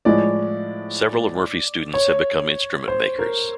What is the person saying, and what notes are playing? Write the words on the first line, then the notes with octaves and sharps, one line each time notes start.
Several of Murphy's students have become instrument makers.
A2 F3 G#3 D5
C#5
C5
A#4